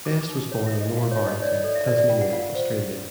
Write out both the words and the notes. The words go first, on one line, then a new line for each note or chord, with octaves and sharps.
Best was born in Lower Barrington, Tasmania, Australia.
F#4 D6
D6
D#4
C#5
E5
A4
D#5
F#4 F5
C#5
D#4
D#5
C#5 D5
D#5
A4 D5
E5
G#4 D5
D5
F4 G5
F#5
F4 F5
C5
G#4